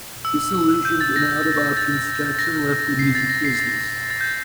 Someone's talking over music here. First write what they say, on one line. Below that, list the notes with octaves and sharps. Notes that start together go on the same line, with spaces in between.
Disillusioned and out of options, Jackson left the music business.
E6
G6
A6
A#6
A6
A#6
C7
A6
A#6
C7
A6
A6
G6